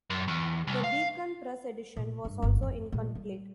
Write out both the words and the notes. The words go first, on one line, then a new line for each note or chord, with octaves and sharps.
The Beacon Press edition was also incomplete.
F#2
E2
C2
F5
A#2
G2
G1 F4
F2
A#2 G#3
G3